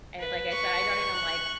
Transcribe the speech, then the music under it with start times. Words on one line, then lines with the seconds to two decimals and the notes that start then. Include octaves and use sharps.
And, like I said, I don't even like
0.20 B4
0.53 C#6
1.14 F#6